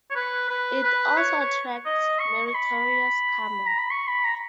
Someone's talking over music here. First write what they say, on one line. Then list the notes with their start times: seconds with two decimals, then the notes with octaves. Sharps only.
It also attracts meritorious karma.
0.10 C#5
0.16 B4
0.49 B4
0.84 B4
1.17 C#5
1.40 C#5
1.85 D#5
2.20 C#6
2.47 C#6
2.54 B5
3.66 A#5
3.78 B5
3.91 C#6
4.08 B5
4.24 A#5